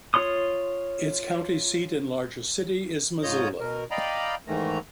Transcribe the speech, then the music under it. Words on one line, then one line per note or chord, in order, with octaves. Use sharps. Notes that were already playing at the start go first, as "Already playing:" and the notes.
Its county seat and largest city is Missoula.
F4 C#5 C6 D#6
G#2 F4 C#5 D#5 G6
B2 A#4
D5 D#5 F5 G5 A#5 B5
E2 G#2 D#3 E3 A3 A#5